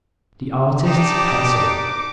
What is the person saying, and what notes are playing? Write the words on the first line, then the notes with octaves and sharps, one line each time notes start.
The artist's pencil!
D4 D#4 G4 D6